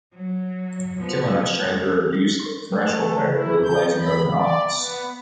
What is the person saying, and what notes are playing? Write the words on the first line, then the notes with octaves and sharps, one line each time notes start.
Kilinux tried to reduce the threshold by localizing Open Office.
F#3
F3 B3
F2
A3
E4
G6
B5
D5
B3